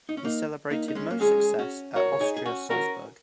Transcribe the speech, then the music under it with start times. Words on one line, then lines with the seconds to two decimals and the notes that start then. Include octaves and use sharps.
He celebrated most success at Austria Salzburg.
0.09 D#4
0.17 C#4
0.24 A#3 D#4
0.70 A#3 D#4
0.88 D#4
0.95 G#3 C#4
1.11 A#3
1.21 G#3 C#4 G#4
1.59 C#4 F#4
1.95 F#4 A#4 C#5
2.20 D#4 G#4
2.37 G#4
2.46 C#4 F#4
2.70 C#4 F#4 A#4